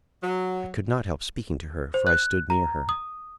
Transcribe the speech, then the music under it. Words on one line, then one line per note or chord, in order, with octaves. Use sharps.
I could not help speaking to her, for I stood near her.
F#3
C5
F#6
A#5
D#6